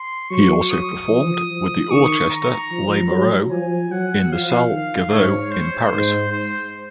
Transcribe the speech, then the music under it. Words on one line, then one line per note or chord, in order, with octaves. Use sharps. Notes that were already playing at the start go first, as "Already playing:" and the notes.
He also performed with the Orchester Lamoureux in the Salle Gaveau in Paris.
Already playing: C6
F#3 C#6
D#6
F3
F3
D#3 C#6
A#5
F3
F#3
F3 G#5
F#3 F#5
F3 F5
D#3
G#2 C#5
C5
G#2 C5
C5